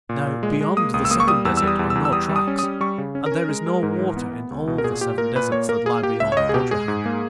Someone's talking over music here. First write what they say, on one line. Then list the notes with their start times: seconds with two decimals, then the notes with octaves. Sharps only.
Now, beyond the second desert are no tracks, and there is no water in all the seven deserts that lie beyond Bodrahan.
0.09 A#2
0.26 A#2
0.43 G#3
0.61 G#3
0.77 A#3 D#6
0.94 C#2 D#6
1.05 E6
1.11 A#3 D#6
1.20 C#6
1.27 G3 D#6
1.45 E2 E6
1.57 E6
1.62 G3
1.67 D#6
1.79 E2
1.90 E6
1.95 E2
2.05 E6
2.13 G3 D#6
2.29 G3
2.36 D#6
2.47 C#4
2.59 G3 D#6
2.81 G3 C#6
2.98 C#3
3.15 C#4
3.26 A#4
3.32 C#4
3.48 G#3
3.66 G#3
3.83 G#2
3.99 E3
4.17 B3
4.33 B3
4.51 C#2
4.67 B2
4.78 A#4
4.84 A#2 G#4
5.01 A#2 G4
5.18 A#2 A#4
5.35 A#2 B4
5.52 A#3 C#5
5.69 A#3 A#4
5.86 A#3 G#4
6.03 A#3 G4
6.20 C#2 E5
6.32 C#5
6.37 C#2 D#5
6.49 G#4
6.54 B2 G4
6.71 G#3 G#4
6.88 G#2
7.06 A#3